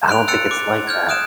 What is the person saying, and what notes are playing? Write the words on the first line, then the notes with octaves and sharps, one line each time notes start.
eh, I don't think it's like that.
C6 F#6 D7 F7
E6 F#6 A6 C#7 D7 F7
D6
F6 G6 G#6
D#6 F#6 D7 E7